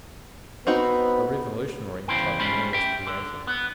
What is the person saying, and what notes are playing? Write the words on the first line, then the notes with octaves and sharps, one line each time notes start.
A revolutionary tribunal was created.
B3 C4 D#4 F#4
E2 C#3 E4 C5 G5
G3 G#3 C#4 F4 C5 B5
E5 G5
D3
B3